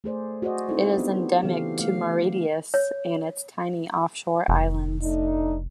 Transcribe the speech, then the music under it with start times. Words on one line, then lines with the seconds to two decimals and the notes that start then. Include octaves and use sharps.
It is endemic to Mauritius and its tiny offshore islands.
0.04 A3 G#4 C5 D5
0.42 F#4 G#4 C5 D5 D#5
0.69 C4 D#4 E4 A4 C5
0.97 B3 D4 G4
1.43 C#3 E3 B3 G4 A4 F5
1.79 A3 F5
2.74 C#5
4.48 F1
5.02 A3 D4 D#4